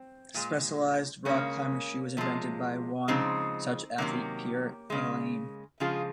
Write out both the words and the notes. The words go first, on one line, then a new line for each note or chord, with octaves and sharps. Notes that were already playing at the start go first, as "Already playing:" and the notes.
The specialized rock climbing shoe was invented by one such athlete, Pierre Allain.
Already playing: C4
A#2 G#3
C#3 G#3 A#3 C#4
C3 F3 G#3
C#3 F3 G#3 C4 D#4
C3 D#3 F#3 A#3 C#4
C#3 G#3
C#3 F3 G#3 F4 G#4